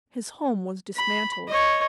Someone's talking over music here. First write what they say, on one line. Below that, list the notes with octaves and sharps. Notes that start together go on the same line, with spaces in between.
His home was dismantled.
B5
C#5 D#5